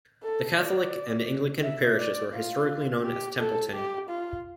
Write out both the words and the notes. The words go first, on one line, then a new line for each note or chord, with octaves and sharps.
The Catholic and Anglican parishes were historically known as Templetenny.
A4
D5
E5
D5
F4
G4
A4
G4
F4